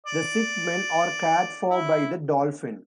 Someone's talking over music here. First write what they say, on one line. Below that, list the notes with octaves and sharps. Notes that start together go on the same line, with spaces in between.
The sick men are cared for by the "Dolphin".
D5
E4